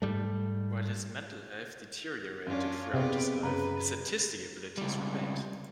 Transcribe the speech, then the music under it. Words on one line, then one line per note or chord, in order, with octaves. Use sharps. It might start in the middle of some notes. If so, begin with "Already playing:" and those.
While his mental health deteriorated throughout his life, his artistic abilities remained.
G#2 G3 A3
F#2 C#4 D4 F4
C3 B3 C4 F4 G4 G#4 B4
F#2 C#3 B4 A#5
C#2 G3